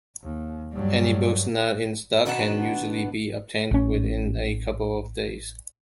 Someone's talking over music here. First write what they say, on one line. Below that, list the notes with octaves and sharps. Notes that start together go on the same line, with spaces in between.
Any books not in stock can usually be obtained within a couple of days.
D#2
G2 F#3 G3
B2 D#3 B3 D4 F#5 A5
A1 C#4